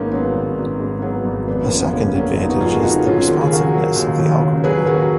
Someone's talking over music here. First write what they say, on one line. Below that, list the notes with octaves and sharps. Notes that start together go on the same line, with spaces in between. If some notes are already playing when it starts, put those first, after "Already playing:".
A second advantage is the responsiveness of the algorithm.
Already playing: G#1 G#2 A#3 B3 C#4 D#4
F#3 B3
G#1
G#1
G#2
F#3 B3
G#1
F1 B3
A#3 C#4
F2
B3
C#3 A#3 C#4
F#3 A#3 C#4
F1 B3 D#4
D#4 F#4
F2 F4 G#4
F#4 A#4
C#3 D#4 F#4
F#3 C#4 F4
D#2 A#4
G#4
C#3 F#4 A#4
F#3
D#2
D#2
C#3
F#3 G#4 B4
D#2 F#4 A#4